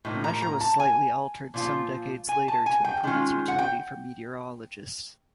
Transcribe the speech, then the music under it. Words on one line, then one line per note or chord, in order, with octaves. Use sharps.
The measure was slightly altered some decades later to improve its utility for meteorologists.
A2 F3 A#3 D#4
A#5
A#5
A5
G#5
A#2 F3 F4
G#5
A5
G#5
G5
D#3 G#3 C#4 F4
F#5
G5